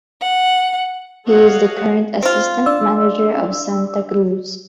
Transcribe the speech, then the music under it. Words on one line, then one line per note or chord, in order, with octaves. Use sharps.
He is the current assistant manager of Santa Cruz.
F#5
F#4 A4 C#5 D#5 F5 F#5
C4 F4
D4 D5 E6